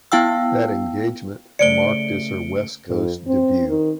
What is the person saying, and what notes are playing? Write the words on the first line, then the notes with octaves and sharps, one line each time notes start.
That engagement marked as her West Coast debut.
B3 E4 F5 G5 E6
C#3 A3 C5 D5 C#7 D7 G7
F2
C4
D#3